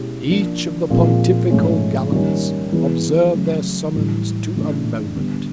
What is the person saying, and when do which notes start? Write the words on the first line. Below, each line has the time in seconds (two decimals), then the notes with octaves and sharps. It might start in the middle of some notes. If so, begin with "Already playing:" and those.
Each of the pontifical Gallants observ'd their Summons to a Moment.
Already playing: B2 G#3 C#4 E4 G4
0.29 F3 A#3 D4
0.90 A#2 F3 G#3 C4 F4
1.50 G#2 F3 A3 C#4
2.12 D#3 G3 A#3 C#4
2.72 E3 G#3 B3
3.34 C#3 F#3 A3
3.94 A2 E3 G3
4.55 C#3 E3 A3 D4
5.16 D3 G3 B3